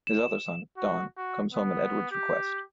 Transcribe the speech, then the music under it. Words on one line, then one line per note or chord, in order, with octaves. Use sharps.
His other son, Don, comes home at Edward's request.
E7
F#4
F#4
B3
G4